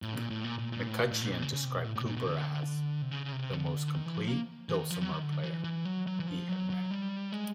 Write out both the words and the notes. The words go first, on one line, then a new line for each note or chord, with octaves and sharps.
McCutcheon described Cooper as "the most complete dulcimer player" he had met.
A2
A#2
A2
A#2
A#2
A#2
A2
A#2
A2
A#2
A#2
C#3
C#3
C3
B2
A2
A2
B2
A#2
B2
D3
C3
C#3
C3
D3
D#3
E3
F3
A#3
E3
D#3
F3
F#3
D#3
D3
E3
E3
F#3
F#3
E3
F3
F#3
F#3
G3
G#3